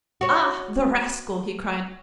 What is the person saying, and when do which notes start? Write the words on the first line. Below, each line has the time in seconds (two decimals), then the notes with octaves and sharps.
"Ah, the rascal!" he cried.
0.21 F#4 C#5